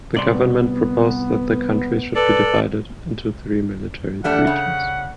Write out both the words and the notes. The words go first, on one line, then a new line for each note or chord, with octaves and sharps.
The government proposed that the country should be divided into three military regions.
C2 B3 D5 C6
A4 B4 D5
G3 A3 D4 F#5
C#3